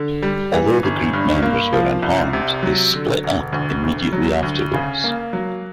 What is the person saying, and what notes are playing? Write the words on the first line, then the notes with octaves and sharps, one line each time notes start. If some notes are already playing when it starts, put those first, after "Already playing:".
Although the group members were unharmed, they split up immediately afterwards.
Already playing: D3
G3
E3
G1
G2
A#3
F3
C2
C3
F#3
D3
E1
D2
D2
F#3
D2
C#3
A#3
F#3